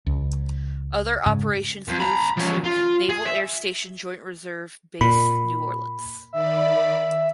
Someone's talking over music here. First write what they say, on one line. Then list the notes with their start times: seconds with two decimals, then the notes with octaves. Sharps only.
Other operations moved to Naval Air Station Joint Reserve Base New Orleans.
0.07 C#2
1.26 G#2 C#3
1.88 F2
2.00 A#5 B5
2.37 F3 C#4
2.64 F4
3.09 G#4
3.25 E5
5.01 A#2 B5
6.33 D#3 D5 E5 B5